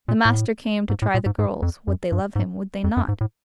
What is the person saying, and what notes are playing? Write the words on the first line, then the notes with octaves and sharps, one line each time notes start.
The master came to try the girls: Would they love him, would they not?
A#2
A2
G#2
A2
A#2
G#2
G#2
F2
F#2
G2
G#2
F2
F#2
G#2
A2